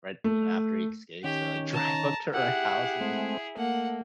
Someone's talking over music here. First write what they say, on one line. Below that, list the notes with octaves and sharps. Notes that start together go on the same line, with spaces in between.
right, you know, after he escapes, they, like, drive up to her house and just
A3
D#3 C#4 G4
A5 A#5
E4 G4 G#4 F#5
G#3 A3 C4
A3 A#3 F#5